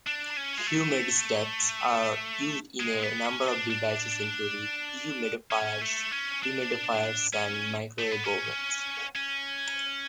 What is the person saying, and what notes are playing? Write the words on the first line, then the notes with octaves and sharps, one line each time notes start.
Humidistats are used in a number of devices including dehumidifiers, humidifiers, and microwave ovens.
D4
C#4
G#3
A3
G#3
B3
C#4
D4
D4
C#4
A3
C#4
D4
C#4
A3
B3
C#4
C#4